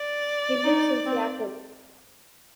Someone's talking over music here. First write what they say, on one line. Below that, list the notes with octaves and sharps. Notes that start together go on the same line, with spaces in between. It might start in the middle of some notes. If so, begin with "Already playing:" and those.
He lives in Seattle.
Already playing: D5
D#4
C4